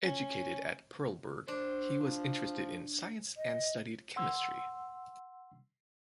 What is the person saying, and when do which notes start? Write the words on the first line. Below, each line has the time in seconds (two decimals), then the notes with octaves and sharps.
Educated at Perleberg he was interested in science and studied chemistry.
0.04 C#4
1.48 D4 C5
2.01 F3
3.37 D#5
4.16 F#5 C6 E6